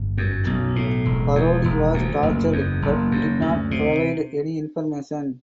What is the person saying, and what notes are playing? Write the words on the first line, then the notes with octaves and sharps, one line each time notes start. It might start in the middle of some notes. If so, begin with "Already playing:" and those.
Parodi was tortured but did not provide any information.
Already playing: G1
F#2
B1
A2
E1
E2
E1
D2
F#1
E2
F#1
F#2
D2
C3